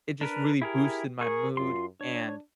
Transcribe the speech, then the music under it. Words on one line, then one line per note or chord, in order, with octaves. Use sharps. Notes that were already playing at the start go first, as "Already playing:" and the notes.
It just really boosted my mood, and
D4 A#4 B4
E4 G4 G#4 A#4
G#4 A#4 C#6
F#2 F4 C6
D4 C#5